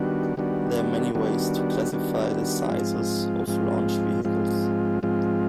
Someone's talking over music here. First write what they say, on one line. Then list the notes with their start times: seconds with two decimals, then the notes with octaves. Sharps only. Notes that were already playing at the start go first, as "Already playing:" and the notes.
There are many ways to classify the sizes of launch vehicles.
Already playing: D#3 G3 B3 D4 F#4
0.37 D#3 G3 B3 D4 F#4
1.15 D#3 G3 B3 D4 F#4
1.92 D#3 G3 B3 D4 F#4
2.70 G#2 F3 G#3 C4 F4
3.47 G#2 F3 G#3 C4 F4
4.25 G#2 F3 G#3 C4 F4
5.03 G#2 F3 G#3 C4 F4